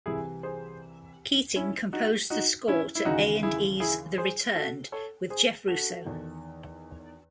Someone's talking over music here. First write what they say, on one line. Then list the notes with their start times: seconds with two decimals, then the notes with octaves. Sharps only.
Keating composed the score to A and E's "The Returned" with Jeff Russo.
0.06 C2 C3 E3 E4 G#4
0.43 G#4 C5
1.56 C#4 E4
1.93 D#4 F#4
2.30 D#4 F#4
2.68 C#4 E4
2.95 E4
3.05 D#2 C#3 E3 D#4 F#4
3.43 E4 G#4
3.80 E4 G#4
4.18 G#4 C5
4.55 F#4 A4
4.92 A4 C#5
5.30 G#4 C5
5.68 F#4 A4
6.05 E2 D#3